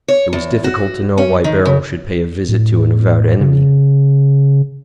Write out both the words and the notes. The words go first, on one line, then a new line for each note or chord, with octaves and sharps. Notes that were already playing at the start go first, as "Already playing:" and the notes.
It was difficult to know why Beryl should pay a visit to an avowed enemy.
C#5
E2
F#4
C#4
D#3
C#3
A2
C#3